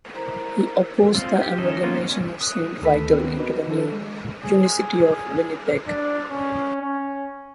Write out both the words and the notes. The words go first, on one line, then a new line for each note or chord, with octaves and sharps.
He opposed the amalgamation of Saint Vital into the new "unicity" of Winnipeg.
E4 A#4 C5 A#5
C4 F4 D#5 F5
G4
D#3 C#4 A4 D#5 E5
A#3 B3 C#4 D#4 F4
G#3 C#4
D#6 F#6
D2 D#3 A4 B4 B5 B6
D#3 B3 C4 B4
F#4 A#4 B4 D#5 B5
D#3 F3 D4 A4
G#3
G#4
D4
C#4
C#4